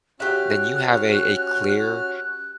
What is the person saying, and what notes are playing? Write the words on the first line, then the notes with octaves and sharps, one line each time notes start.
then you have a a clear,
C#4 F#4 G4 E5 F6 F#6